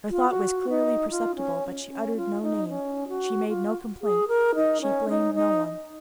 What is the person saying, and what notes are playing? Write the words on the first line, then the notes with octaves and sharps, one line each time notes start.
Her thought was clearly perceptible, but she uttered no name, she made no complaint, she blamed no one.
F4
F#4
D#4
F4
C#4
C#4
F4
D#4
C#4
F#4
F4
G#4
A#4
D#4
C#4
D#4
D#4